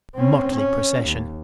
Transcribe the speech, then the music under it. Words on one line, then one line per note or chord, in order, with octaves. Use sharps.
Motley procession!
C4 C#4
C#4
D#2